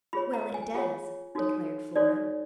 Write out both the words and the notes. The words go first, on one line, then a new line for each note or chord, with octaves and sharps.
"Well, it does," declared Flora.
F4 G#4 C#5 B5
A#5
G#5
F4 G#4 C#5
D#4 F#4 A4 C#5
D#4 F#4 A4 C#5 D5